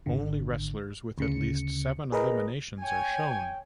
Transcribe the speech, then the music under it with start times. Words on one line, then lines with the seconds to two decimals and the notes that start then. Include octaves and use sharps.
Only wrestlers with at least seven eliminations are shown.
0.06 G#1 D3
1.18 D2 C#3 C#7
2.12 G#4 A#4 B4 D#5 A#5
2.83 C#5 G5 G#5